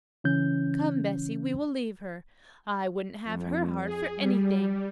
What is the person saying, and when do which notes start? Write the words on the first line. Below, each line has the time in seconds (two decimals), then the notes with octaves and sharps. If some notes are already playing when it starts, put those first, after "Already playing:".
Come, Bessie, we will leave her: I wouldn't have her heart for anything.
0.24 C#3 E3 C#4 G6
3.25 F2
3.85 G#4
4.16 G3